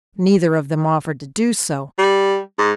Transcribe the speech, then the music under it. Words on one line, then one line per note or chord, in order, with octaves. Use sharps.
Neither of them offered to do so.
G3
G#2